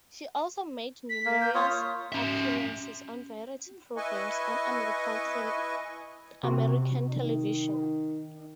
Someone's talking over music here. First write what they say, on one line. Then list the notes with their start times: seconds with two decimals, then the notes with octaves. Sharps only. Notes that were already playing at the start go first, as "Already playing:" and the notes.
She also made numerous appearances on variety programs on American television.
1.10 B6
1.25 A#3
1.41 G6
1.55 F4 C#5 D#6
2.12 C#4 E5
3.97 E4 B4 D#5 G#5 C#6
6.43 C3 F#4
7.22 D#3